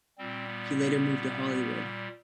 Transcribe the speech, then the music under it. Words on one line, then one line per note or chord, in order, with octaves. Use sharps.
He later moved to Hollywood.
A#2 G3 C4
B3
B3